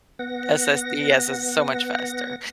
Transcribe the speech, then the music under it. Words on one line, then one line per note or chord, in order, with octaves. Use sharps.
SSDs is so much faster.
B3 F#5 A#6